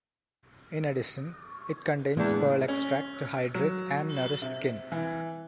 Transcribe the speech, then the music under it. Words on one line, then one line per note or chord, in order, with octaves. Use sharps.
In addition, it contains pearl extract to hydrate and nourish skin.
E2 A2 G#3 A#3 D4
C#4
F#3
C3
E3